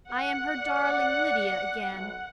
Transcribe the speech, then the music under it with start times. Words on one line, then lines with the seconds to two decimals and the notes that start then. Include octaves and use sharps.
I am her darling Lydia again!
0.11 F#5
0.56 D5
1.89 B1